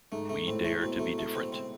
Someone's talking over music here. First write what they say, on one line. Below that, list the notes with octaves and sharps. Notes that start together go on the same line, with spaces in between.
We Dare to Be Different.
G#2 A3
A3
A2 C4
A3
B2 C4
A3
A3
C4
C4